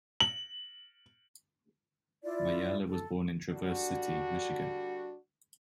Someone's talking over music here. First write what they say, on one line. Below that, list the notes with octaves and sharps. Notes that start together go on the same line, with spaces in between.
Majerle was born in Traverse City, Michigan.
F#7
E4 F4 D5
A4
D3 G3 D4 F#4